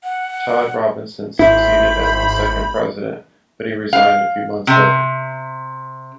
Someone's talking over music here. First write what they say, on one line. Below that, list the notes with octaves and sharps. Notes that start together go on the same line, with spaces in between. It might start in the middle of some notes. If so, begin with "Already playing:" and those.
Todd Robinson succeeded as the second president, but he resigned a few months later.
F#5
G#1 E4 C5 E5 B5 G6
F5
C3